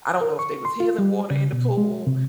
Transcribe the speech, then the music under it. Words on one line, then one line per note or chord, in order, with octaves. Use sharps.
I don't know if there was healing water in the pool,
A#4
C#6
C6
F4
G3
C#3
B2
G#3
C3